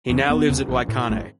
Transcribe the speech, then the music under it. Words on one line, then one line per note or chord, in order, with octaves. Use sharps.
He now lives at Waikanae.
E2 C#3
E1 B3
D#2 C#3
A1
A2
G#1 A3